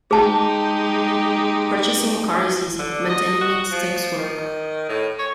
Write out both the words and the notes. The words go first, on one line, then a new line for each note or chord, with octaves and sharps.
Purchasing a car is easy, maintaining it takes work.
G#3 D#4 G4 G#4 A5
D3
D#5
F#4
F3
D#3
A2
C#5